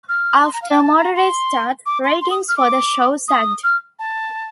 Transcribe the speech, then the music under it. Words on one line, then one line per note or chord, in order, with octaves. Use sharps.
After a moderate start, ratings for the show sagged.
F6
C6
A#5
F5
G5
A5
A#5
C6
D6
C6
C6
D#6
F6
D6
D#6
F6
A5